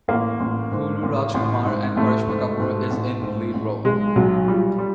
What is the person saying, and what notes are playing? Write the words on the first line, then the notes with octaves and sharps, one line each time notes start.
Puru Raaj Kumar and Karisma Kapoor is in lead role.
A1 A#3
A1
G#2
A1
A1
G#2
A1 A3
G#2
G#2
A1
G#2
A1
B1 G#3
B1 F#3
A#2 G3
G3